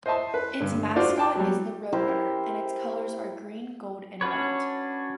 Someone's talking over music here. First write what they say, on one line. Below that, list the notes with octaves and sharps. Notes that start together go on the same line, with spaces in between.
Its mascot is the roadrunner, and its colors are green, gold, and white.
C5 D#5 E5 A5 C6
B4
G2 D3
D4 F4 F#4 C5 D5
G5 A5 D6
F#3 G3
E4 G4 A#4 C5
C#4 D4 F#4 B4 C#5